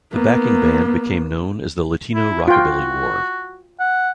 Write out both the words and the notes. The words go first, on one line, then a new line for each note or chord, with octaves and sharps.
The backing band became known as The Latino Rockabilly War.
A#3 B3
E4
F4 F#4 G5
F#5